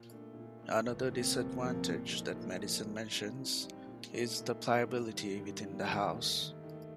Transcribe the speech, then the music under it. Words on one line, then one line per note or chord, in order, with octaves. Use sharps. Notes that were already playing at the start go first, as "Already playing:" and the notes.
Another disadvantage that Madison mentions is the pliability within the House.
Already playing: A#2
A3 D4
A#2
A3 D4
G1
F2 C3 F3 A#3
G1
F2 C3 F3 A#3
A#2
F3 A3 D#4
A#2
F3 A3 D#4
A2
G3 C4 D#4
A2
G3 C4 D#4
A#2
A3 D#4
A#2
A3 D#4
G2
D#3 G3
G2
D#3 G3
D#2
D#3 A3 D#4
D#2
D#3 A3 D#4